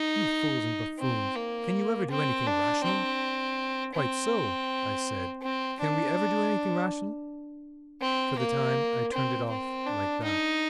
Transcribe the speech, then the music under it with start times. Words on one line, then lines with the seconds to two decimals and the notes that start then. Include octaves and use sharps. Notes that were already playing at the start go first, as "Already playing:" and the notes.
'You fools and buffoons, can you ever do anything rational?' 'Quite so,' I said, 'can we ever do anything rational?' For the time I turned it off like that.
Already playing: D#4
0.99 C4
1.35 A#3
2.10 C4
2.47 D4
2.84 C4
3.95 C4
5.42 C4
5.80 D4
8.01 C4
8.39 A#3
9.13 C4
9.49 C4
9.86 D4
10.23 D#4